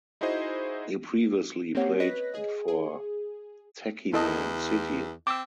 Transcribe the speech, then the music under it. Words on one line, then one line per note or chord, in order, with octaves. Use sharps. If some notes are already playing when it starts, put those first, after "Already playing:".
He previously played for Techiman City.
D#4 E4 F#4 G#4 C5 D#5
A#3 C4 C#4 G4 C#5 F#5
B4 C#5 D#5 F#6 A#6 B6
G#4 D#5
G#4
E2 E4 A4 D#5
C4 D6 E6